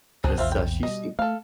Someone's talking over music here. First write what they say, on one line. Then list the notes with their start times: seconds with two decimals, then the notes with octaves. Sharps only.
'cause, uh, she seem
0.24 C#2 B2 C4 D4 G#4
0.38 A#1 E2 C4 F4 E5
0.52 G5
0.83 B2 G3 D#5
1.19 A3 A4 F5